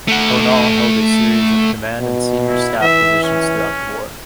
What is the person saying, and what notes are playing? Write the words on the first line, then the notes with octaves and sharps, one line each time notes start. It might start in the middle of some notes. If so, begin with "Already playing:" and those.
Pownall held a series of command and senior staff positions throughout the war.
A3 F#5
B2
E4
E3 E5
C#4